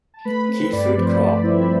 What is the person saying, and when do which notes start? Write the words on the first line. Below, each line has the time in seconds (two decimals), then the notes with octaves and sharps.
Key Food Coop.
0.14 A5
0.25 A3 B4 B5
0.49 C4 B4 B5
0.72 G2 D5
0.96 F3 C5
1.20 A3 D5
1.43 C4 E4 E5